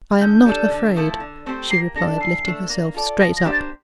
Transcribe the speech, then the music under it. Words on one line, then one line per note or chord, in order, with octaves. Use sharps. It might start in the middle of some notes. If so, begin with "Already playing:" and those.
'I am not afraid,' she replied, lifting herself straight up.
D3 G6
G3 D4 A4
D3
F3 A3 E4 A4
D3
A3 C4 G4 C5
A#3 C7
D4 A4 A#6
E3 C7
A3 D4
A#3
F4 A4 D5
F3 A#6
A#6
A#3 D4 G4 C5
A6